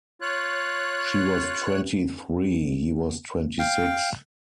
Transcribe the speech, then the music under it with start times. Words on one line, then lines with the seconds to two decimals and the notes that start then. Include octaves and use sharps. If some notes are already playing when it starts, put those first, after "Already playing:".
She was twenty-three; he was twenty-six.
0.22 F4 C#5 F#6
3.59 F5 G5